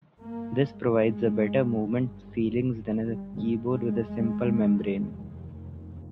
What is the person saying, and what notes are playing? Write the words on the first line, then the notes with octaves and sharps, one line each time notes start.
This provides a better movement feelings than a keyboard with a simple membrane.
G1 G2 A#3
G#3
G3
G#3
G#3
F1 D#2